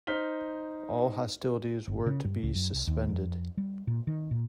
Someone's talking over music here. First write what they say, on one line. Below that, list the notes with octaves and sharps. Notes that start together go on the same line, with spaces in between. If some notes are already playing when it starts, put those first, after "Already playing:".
All hostilities were to be suspended.
D#4 C5 F6 B6 G7
G1
C#3
G2
C#2
F#2
C2
D#2
F2
G3
A#2
D#3
A#2